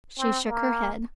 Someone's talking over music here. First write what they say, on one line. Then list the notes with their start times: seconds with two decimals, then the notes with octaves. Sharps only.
She shook her head.
0.18 C4
0.48 A#3